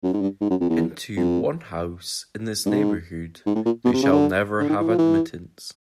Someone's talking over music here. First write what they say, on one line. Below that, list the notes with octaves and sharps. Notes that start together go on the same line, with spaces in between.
Into one house in this neighbourhood they shall never have admittance.
F#2
G#2
G2
G#2
F#2
F2
E2
F2
G2
G#2
G#2
A2
A#2
B2
C3
C#3
D3
D3
D#3
E3
F3
E3